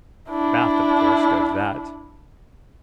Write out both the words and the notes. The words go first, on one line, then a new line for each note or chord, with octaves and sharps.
Bath of course does that.
D4 E4